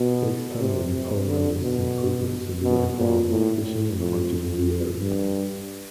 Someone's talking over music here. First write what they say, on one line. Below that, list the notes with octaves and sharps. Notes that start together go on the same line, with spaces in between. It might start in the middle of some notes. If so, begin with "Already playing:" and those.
They expanded Paulhamus' improvements and began farming, fishing and hunting in the area.
Already playing: B2
C3
C3
D3
B2
B2
A#2
A2
A2
F2
F2
G2